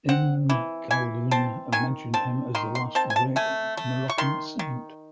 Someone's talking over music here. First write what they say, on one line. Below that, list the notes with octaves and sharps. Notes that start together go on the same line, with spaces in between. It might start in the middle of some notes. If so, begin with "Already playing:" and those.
Ibn Khaldun mentioned him as the last great Moroccan saint.
C4 F#5
E3
E3 G#5
C4 A5
D#3 G#5
C4 A5
D#3 C6
C6
C4 A5
G#5
A5
A3 G#5
A3
C#6
D#3 C6
D#3